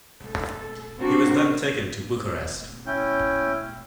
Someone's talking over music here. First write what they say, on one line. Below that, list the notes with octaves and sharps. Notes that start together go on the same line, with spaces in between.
He was then taken to Bucharest.
A4
C4 D4 F#4 G4 A#4 C5
C#4 E4 G5